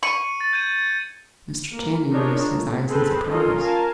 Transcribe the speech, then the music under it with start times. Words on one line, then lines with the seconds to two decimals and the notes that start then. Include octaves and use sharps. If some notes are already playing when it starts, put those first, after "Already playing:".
Mr. Channing raised his eyes in surprise.
0.03 C#6 C#7 D#7 F#7
0.40 A6
0.53 G6 G#6 D#7
1.71 A#3
2.11 D4 D#4 F4 G#4 A#4 C#5
2.50 A3
2.88 C4 G#4 A4 B4 C5
3.29 C#4 F4 A4 A#4 C#5 D#5
3.61 A#4 F5 G#5 A5